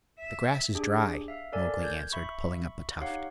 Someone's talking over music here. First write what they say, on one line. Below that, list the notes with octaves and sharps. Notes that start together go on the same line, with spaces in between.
"The grass is dry," Mowgli answered, pulling up a tuft.
E5
D4 G4 G#4
E5 F5
A4 A#4 D5 G#5
G6 G#6
E5 B5 C#6
D#4 G4 C#5 F5 F#5